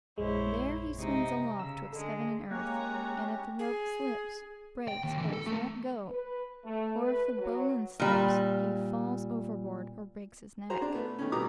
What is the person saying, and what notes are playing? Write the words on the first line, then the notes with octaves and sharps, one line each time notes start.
There he "sings aloft 'twixt heaven and earth," and if the rope slips, breaks, or is let go, or if the bowline slips, he falls overboard or breaks his neck.
A#1 F#2 G#3 E4 C5 C#5
C3 D#4 D#5
C#3 A#5 E6
D3 G#3 A4
G#3 A#3 C#4 G4 C#5 A#5 F#6
G#4
G5
D#2
D3 E3
A4
A3 A#4
B4
A3
B4
F#3
A#2 G3
F#4 G#4 C5 A#5
D4
A3 B3
D#3 A3 C#4
B2 G3 B3 A#5 D6 D#6